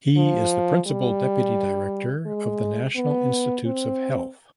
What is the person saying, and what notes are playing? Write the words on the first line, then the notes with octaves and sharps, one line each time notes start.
He is the principal deputy director of the National Institutes of Health.
F3
G3
G#3
B3
C4